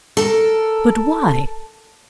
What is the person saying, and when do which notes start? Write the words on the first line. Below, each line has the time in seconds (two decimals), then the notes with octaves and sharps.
But why?
0.17 A4 A#4